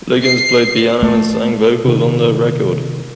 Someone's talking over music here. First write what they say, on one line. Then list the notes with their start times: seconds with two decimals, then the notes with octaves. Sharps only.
Liggins played piano and sang vocals on the record.
0.22 C7
1.03 A3
1.84 C3 D#3